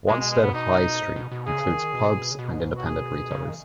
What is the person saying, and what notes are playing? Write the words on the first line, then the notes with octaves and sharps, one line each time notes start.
Wanstead High Street includes pubs and independent retailers.
B2 G#3
G#3
G#3
B3
D#4
G#2
B2
B2
C#3 G#4
D#3
B2
C#3
B2
G#2
B2
F#4
G#4
C#3
D#3